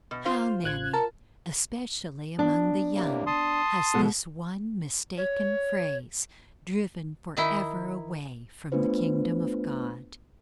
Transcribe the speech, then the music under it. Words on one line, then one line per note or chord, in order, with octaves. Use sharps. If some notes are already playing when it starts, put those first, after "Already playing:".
How many, especially among the young, has this one mistaken phrase driven forever away from the kingdom of God?
B2
F4 C5 F5
A1 F#6 G#6
A#4 A5
B3 D4
A2 C3 A#3
A5 C6 D#6
B2 G#3 A4
C#5
D#3 D#4 E4
A3 B3 D4 F4 B4 C5